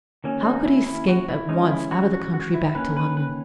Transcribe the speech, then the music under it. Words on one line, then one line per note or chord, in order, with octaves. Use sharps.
How could he escape at once out of the country,--back to London?
D#3 F#3 A#3 C#4
D#4
E4
E4
F#4
E4
E3 G#3 C#4 D#4
E4
F#4
F#4
F#4
E4
D#3 A#3 C#4 B4
B4
B4